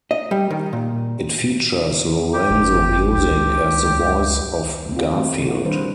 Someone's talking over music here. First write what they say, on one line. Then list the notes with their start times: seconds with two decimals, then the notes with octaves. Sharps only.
It features Lorenzo Music as the voice of Garfield.
0.11 D#5
0.31 G3
0.50 D#3
0.73 A#2
2.34 G4
2.50 G1
3.14 C#2 G4
3.73 C#2
4.92 C4 F4
5.15 A3 C4 F#4 G4
5.47 E4 F#5
5.65 D#3 G3 D4 B4 C5